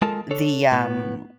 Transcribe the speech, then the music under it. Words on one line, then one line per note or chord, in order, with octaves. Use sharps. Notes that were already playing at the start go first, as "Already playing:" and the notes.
the, um
G#3 F4 A4 A#4 A5
D4 A4 C#5
A2 B3